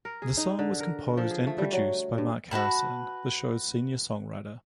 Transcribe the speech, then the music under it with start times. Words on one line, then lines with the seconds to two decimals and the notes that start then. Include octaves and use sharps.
The song was composed and produced by Mark Harrison, the show's senior songwriter.
0.05 A#4
0.22 G#4
0.37 D#4
0.59 D3
0.80 A#4
1.17 F3
1.31 G#4
1.47 A3
1.58 G3
1.73 F#3
2.18 G2
2.51 F#4 B4 A5 B5